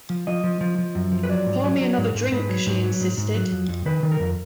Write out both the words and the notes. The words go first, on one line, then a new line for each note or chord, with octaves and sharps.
"Pour me another drink," she insisted.
F3
F3 D#5
F3
F3
F3
F#2
F3
B4
F#3 D5
G#2
F#3
F#3
G#2
G#2
G#2 B4
F#3
G#2
F#3
G#2
G#2
F#3
F2
F2
D#3 B4
D#3
A#4
F2